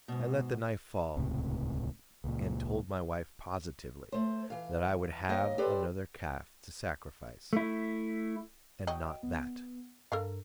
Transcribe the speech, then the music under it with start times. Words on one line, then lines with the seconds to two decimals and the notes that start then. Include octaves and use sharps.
I let the knife fall, and told my wife positively that I would have another calf to sacrifice, and not that.
0.08 G#2 B2
1.16 D#1 C#2 A2 C3
2.24 C#2 A#2
4.12 A3 C5
4.50 E3 F5
5.29 D#2 D#5 F5
5.58 G4 A4 B4 C5 D5
7.53 A3 E4
8.87 F#3 D#5 G5
9.23 B3
10.12 G2 A4 A#4 F5